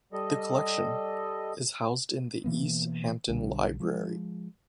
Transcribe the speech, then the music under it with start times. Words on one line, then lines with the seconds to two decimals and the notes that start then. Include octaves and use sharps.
The Collection is housed in the East Hampton Library.
0.13 G3 A4 D#5
2.44 B2 E3 A#3 B3
3.29 B1 D3 G3
3.80 F3 G#3